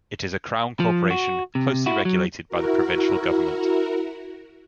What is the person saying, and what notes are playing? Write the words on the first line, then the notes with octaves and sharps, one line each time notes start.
It is a Crown corporation closely regulated by the Provincial government.
F3
F#4
C3
E4 F#4
F#3
E4 F#4 A#4